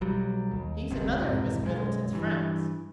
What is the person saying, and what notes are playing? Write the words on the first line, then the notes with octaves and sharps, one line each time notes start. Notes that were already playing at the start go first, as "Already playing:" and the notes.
"He's another of Miss Middleton's friends."
B1 F#3 G3
D#2
F#1 D#2 C3
B1 F2 G#2 C3
B1 F#2 D#3 G#3
G2 E3